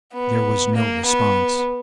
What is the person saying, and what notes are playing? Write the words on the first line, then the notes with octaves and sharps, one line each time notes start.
There was no response.
B3
A#3
B3